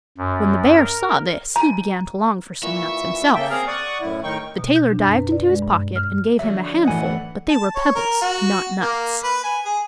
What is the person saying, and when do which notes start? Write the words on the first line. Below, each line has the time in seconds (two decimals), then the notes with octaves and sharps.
When the bear saw this he began to long for some nuts himself. The tailor dived into his pocket and gave him a handful, but they were pebbles, not nuts.
0.18 F#2
0.76 A#4
1.56 A#5
2.62 A#2 E3 E5 F#5 C#6
3.35 C#3 A#3 A4 E5 G5
3.50 C4 G#4 A#4 F5 A#5
3.67 D5 F#5 C#6 D#6
4.01 F#2 A2 E4
4.23 A2 D#3 D#4 G5 C#6
4.58 B2
4.76 G6
4.90 D4
5.03 F#2
5.18 B4
5.32 D5
5.49 G#3
5.62 G2
5.96 F6
6.39 D3 F3 F#3 D4 F#4 E5
6.85 F#2 A2 E3 D#5 F#5 G#5
7.50 A5
7.76 C#5
7.95 A#4
8.22 F#4
8.82 A#3
9.24 B4
9.44 G#5
9.65 G#4